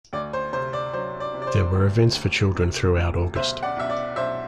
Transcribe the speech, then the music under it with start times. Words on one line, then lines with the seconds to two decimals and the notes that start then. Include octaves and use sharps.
There were events for children throughout August.
0.13 D2 D5
0.33 C5
0.53 C3 C5
0.73 D5
0.93 F#3 C5
1.20 D5
1.34 C3
1.42 D5
1.47 C5
1.75 D2
2.14 D2
2.55 C3
2.96 D2
3.35 B1 C5 E5
3.63 D5 F#5
3.76 B1 E5
3.90 D5
4.16 B1 C5 E5